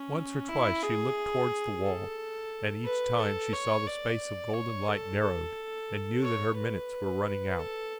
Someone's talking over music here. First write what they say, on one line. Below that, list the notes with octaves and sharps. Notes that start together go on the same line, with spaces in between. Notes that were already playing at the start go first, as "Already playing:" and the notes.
Once or twice she looked towards the wall, and each time she saw the space of golden light narrowed, and knew that her minutes were running out.
Already playing: C#4
E4
G#4
A4
B4
A4
C#5
D5
C#5
A4
A4
C#5
B4
A4